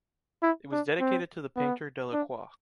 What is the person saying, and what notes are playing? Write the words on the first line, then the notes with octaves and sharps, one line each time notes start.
It was dedicated to the painter Delacroix.
E4
D4
C4
B3
D4